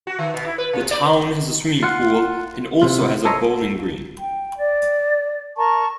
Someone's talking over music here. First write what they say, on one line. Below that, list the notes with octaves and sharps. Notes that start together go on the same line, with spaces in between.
The town has a swimming pool and also has a bowling green.
F#4
D#3
B2
E4
B4
C3
D5
F4 F#5
C3 F4
A4 C5 C#5 D#5 E5 A#5
G5
D5
A#4 A5 A#5 C#6